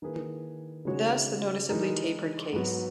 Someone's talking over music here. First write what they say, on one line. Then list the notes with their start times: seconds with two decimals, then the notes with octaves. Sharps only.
Thus the noticeably tapered case.
0.02 D#3 A#3 E4 G#4 B4
0.85 C#3 G#3 D#4 F#4 C#5
1.69 E3 G#3 D#4 A#4
2.53 G#2 F#3 B3 F#4